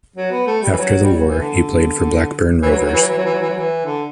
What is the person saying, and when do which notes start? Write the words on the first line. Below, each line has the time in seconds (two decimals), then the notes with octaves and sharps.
After the war he played for Blackburn Rovers.
0.16 F#3
0.31 B3
0.47 A3
0.62 G3
0.72 E3
0.78 F#3
1.03 G3
1.15 F#3
1.27 E3
1.39 D3
2.62 E3
2.70 F#3
2.78 E3
2.85 F#3
2.93 E3
3.02 F#3
3.09 E3
3.18 F#3
3.25 E3
3.34 F#3
3.42 E3
3.49 F#3
3.58 E3
3.85 D3